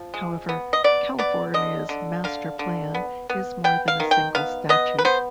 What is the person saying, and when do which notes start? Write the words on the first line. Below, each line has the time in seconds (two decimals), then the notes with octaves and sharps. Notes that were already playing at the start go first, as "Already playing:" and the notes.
However, California's Master Plan is more than a single statute.
Already playing: F3
0.14 G#3
0.49 B3
0.73 D#5
0.84 B3 D5
1.19 B3 D5
1.54 D3 D#5
1.89 D3
2.24 D3 F5
2.59 D3
2.94 B3
3.30 B3
3.64 B3 G5
3.88 F5
4.00 D#3
4.11 G5
4.35 B3 F5
4.69 B3 D#5
4.99 B4
5.05 B3 C5